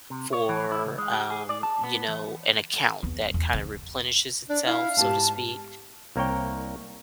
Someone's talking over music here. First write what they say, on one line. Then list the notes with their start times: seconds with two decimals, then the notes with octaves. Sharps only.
for, um, you know, an account that kinda replenishes itself, so to speak.
0.10 C3
0.33 C#5
0.49 E3
0.72 E4
0.85 C#2
0.98 G#3
1.13 G4
1.30 G#4
1.49 D5
1.63 A5
1.84 B3
2.08 E3
3.03 E2
3.34 E2
3.54 D3
4.49 D4 D5
4.66 E4 F5
4.97 G#2 B3 G4 A5
6.16 C2 A#3 A#4 C#5 G5